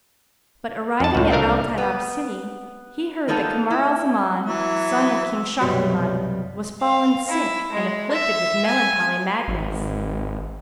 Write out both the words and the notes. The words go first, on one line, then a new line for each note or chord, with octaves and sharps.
But arriving at Al-Tayrab city, he heard that Kamar al-Zaman, son of King Shahriman, was fallen sick and afflicted with melancholy madness.
F2 A5
C#2 A2
C2 A3 D4 A#4 F5
B3
A#3 B3 D#4 F4 A4
E4
E3 F#3 E5
C2 F#2 B2 F#3 G3 F#4
F5
E4
G#3
E5
G#5
G#1